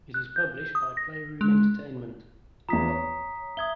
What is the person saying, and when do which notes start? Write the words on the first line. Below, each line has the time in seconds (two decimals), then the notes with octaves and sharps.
It is published by Playroom Entertainment.
0.14 F#6
0.36 G6
0.75 D#6
0.97 A#6
1.41 G#3
2.69 E2 F3 A#5 D#6 B6
2.88 C#5
3.57 E5 D#6 G#6 G7